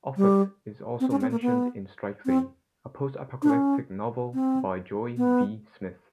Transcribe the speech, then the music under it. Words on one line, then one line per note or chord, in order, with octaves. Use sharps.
Offutt is also mentioned in Strike Three, a post-apocalyptic novel, by Joy V. Smith.
G3
C4
C#4
C4
A#3
B3
C4
D4
C#4
C4
B3